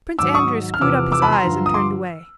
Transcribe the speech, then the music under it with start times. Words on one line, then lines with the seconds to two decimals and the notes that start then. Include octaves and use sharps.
Prince Andrew screwed up his eyes and turned away.
0.19 G#2 D#3 F#3 D6 E6
0.34 C#6 D#6
0.74 F6
0.81 E2 C3 F3 D6 E6
1.12 D6 E6
1.22 A5 B5
1.32 A#5 C6
1.43 G2 D3 F3
1.66 D#6
1.74 C6 D6